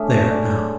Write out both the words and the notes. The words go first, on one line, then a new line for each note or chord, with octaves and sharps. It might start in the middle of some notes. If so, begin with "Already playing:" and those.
There, now!
Already playing: D3 A3 C#4 G#4 E5
D5